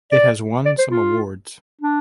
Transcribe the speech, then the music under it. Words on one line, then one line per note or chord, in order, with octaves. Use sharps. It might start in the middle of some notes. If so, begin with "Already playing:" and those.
It has won some awards.
D5
D5
C5
F4
D4